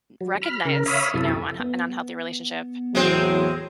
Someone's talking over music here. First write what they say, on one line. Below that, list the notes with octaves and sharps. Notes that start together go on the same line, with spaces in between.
recognize, you know, unh an unhealthy relationship
F#3
B5 F6
C#3 A#4
C#5 E5 F5 B5 D#6
F#2 C3 E4 A4
B3
E2 A2 F#3 G#3 C4